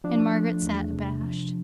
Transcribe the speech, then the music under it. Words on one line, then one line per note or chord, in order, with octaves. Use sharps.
And Margaret sate abashed.
F3 D4
A3
E2
C3
F3